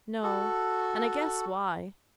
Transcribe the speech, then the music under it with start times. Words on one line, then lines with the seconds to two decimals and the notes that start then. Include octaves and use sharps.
'No; and I guess why.
0.23 F#4 A4